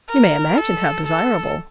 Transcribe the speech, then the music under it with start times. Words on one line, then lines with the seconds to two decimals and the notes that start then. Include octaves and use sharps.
You may imagine how desirable!
0.09 A#4
0.57 A4
1.06 A4